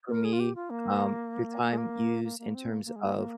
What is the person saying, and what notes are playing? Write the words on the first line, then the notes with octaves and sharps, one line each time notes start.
for me, um, the time used in terms of,
A#4
G#4
F4
G4
F4
A#3
A#3
G#3
A#3
A#3
A#3
C4
A#3
A#3
G#3
A#3
A#3